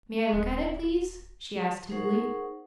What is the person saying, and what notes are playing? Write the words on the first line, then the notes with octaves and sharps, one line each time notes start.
"May I look at it, please?" she asked timidly.
D#1
D#4 G#4 A#4 C5 F#5 C#6